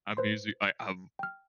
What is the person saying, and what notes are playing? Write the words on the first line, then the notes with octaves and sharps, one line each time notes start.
I musi I I've
B4 C5 C6
G5 F6